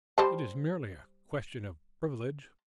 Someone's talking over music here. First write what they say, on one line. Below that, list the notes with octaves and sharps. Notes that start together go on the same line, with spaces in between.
"It is merely a question of privilege."
G3 C5 A5